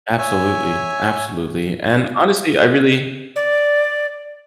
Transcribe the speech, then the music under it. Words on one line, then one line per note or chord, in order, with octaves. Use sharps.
Absolutely, absolutely, and honestly, I really
C#5 E5 G#5
D5